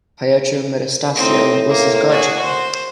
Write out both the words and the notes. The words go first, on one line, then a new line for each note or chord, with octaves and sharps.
Pietro Metastasio was his godchild.
A2 C4 D#4
A#3
F#4 G#4
C5